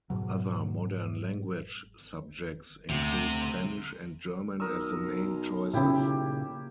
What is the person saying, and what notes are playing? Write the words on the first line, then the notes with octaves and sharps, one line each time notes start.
Other modern language subjects include Spanish and German as the main choices.
G#2 B2 F#3
D2 C3
B1 A#4 D#6 E6
A#2 C#3 E4 G4